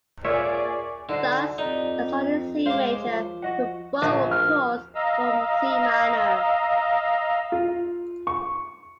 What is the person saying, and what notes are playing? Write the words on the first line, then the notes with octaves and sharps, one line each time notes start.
Thus, a song in C Major could "borrow" chords from c minor.
A#2 G#4 C#5 D5 E5
D3 D#4 F#4 C5
F2 D#4 G4 D5
G#3 A#4 C5 C#5 F5 D6
F3
F#4 D#5 F#5
A#1
F6
D#5 F5 A#5 E6
F4
C#6